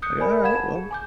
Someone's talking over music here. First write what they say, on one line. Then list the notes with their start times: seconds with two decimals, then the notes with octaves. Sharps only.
like, "Alright, well"
0.02 D#6 F#6 G6 C#7
0.18 A#4 C5 D5 G#5 B5
0.43 F5 F#5 B5 G#6 E7
0.56 A5
0.76 G#4
0.91 G#5 D6 G6